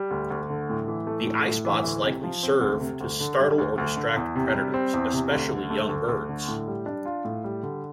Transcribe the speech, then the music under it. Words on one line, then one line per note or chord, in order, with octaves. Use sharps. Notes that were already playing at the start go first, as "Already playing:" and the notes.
The eyespots likely serve to startle or distract predators, especially young birds.
Already playing: G3
D2
D2
D3
A2
E3
A3
A2
A2
E3
D2
C3
F3
C4
D2
C3
D2
D3
G3
D2
D2
D3
E2
C3
G3
C4
E2
C3
D2
D3
A3
D2
D2
D3
A2
G3
D4
F4
A2
G3
D3